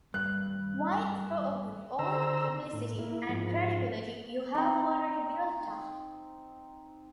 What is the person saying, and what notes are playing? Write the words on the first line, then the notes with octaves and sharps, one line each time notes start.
Why throw away all the publicity and credibility you've already built up?
G2 F#6
D3 C5 A#5 E6
A2
A#3 E4
G#2 F3
C4 D#4